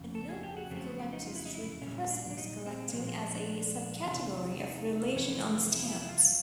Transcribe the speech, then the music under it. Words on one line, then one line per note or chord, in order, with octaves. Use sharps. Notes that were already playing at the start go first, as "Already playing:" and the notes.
A number of collectors treat Christmas collecting as a subcategory of religion on stamps.
Already playing: F2 C#3
A4
G#4
G4
F#4
F2 C#3 F#3 A3 C4
B3
C4
D#4
F4
E4
D#4
E4
A#2 G3 C#4
D4
D4
D#4
C4
A#3
A#2 F3 G#3 B3
C#4
C4
C#4
D4
E2 C3 E3
D#4
F2 C3 E3 C#4
C4
A3
A#3
A#3
E4
F4
E4
E4
F4